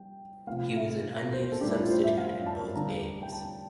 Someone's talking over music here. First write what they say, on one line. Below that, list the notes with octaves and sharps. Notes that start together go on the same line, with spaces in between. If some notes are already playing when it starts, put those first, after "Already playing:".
He was an unused substitute in both games.
Already playing: G3 G5
C3 F3 A3 F5
E5
C5
C5
A4
A2 G3 D4 G4
E4
F4
C5
E5
F5
A5
D3 G3 D4 A#5
G5
A5